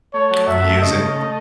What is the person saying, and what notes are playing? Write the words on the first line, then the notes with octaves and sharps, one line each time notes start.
Go use it.
A3 C#5
F#3
F#2 E5
A3
C#3 D#5
A3
A3